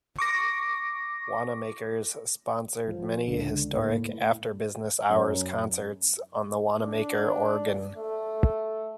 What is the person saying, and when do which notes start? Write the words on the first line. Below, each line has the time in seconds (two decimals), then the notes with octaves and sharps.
Wanamaker's sponsored many historic after-business-hours concerts on the Wanamaker Organ.
0.19 C#6 D6 A#6
2.88 F3
3.28 C#2 D3
3.74 A2 A#3
5.09 F#2
6.84 D4
7.97 A3